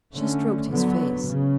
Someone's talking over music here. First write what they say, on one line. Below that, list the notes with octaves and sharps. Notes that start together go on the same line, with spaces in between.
She stroked his face.
D3 A3 C#4
D3 F#3 B3
C#3